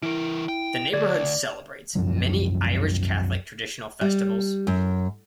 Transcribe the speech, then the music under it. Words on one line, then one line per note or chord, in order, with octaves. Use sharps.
The neighborhood celebrates many Irish Catholic traditional festivals.
E3 E4 A#4 D7
G5
D2 D5 G#6
C2 F#2 F3 F#3
G3
F#2